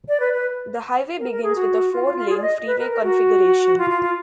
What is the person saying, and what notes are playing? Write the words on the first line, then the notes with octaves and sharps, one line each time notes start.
The highway begins with a four-lane freeway configuration.
D5
B4
B4
A#4
A#4
G#4
F#4
F4
F4
F4
G#4
D5
D#5
B4
A#4
A#4
F#4
F4
F4
F4